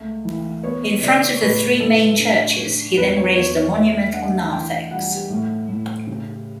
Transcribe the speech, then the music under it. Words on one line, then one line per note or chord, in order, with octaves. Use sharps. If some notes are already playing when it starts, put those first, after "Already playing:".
In front of the three main churches, he then raised a monumental narthex.
Already playing: C#2 A3
E3
B3 C#5
C#3 D5
A2 B4
A2 A4
D4
D4
E2 B4
C#5
E2 C#5
C#5
A3 E5
D4 F#5
E3 G5
G3 F#5
A2
A2
C#3